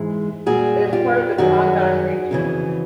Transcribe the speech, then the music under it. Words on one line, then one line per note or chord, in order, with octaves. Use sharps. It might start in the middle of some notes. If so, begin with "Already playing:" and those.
It is part of the Trondheim Region.
Already playing: G#2 E3 G#3
A#2 G3 F#4 G#4
F4 G4
F#2 D#3 G3 F#4 G#4
F2 C#3 E3